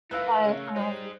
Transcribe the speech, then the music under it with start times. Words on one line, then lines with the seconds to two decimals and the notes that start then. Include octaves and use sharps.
but, um,
0.11 A3 E4 A#4 B4 F5 E6 F#6
0.44 C#3 C#5
0.76 G3 G#3 D#4 C5